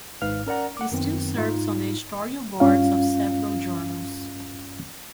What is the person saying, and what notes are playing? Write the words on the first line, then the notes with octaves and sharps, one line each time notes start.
He still serves on the editorial boards of several journals.
G#1 G#2 B4 F5 F6
C#4 A#4 D5 F#5 A#5
F#5 D6
F#2 D#3 B3 C4
G#2 D#4 F4
G2 C#4 F4 F5